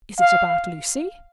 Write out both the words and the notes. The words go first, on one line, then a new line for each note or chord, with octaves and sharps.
"Is it about Lucy?"
F5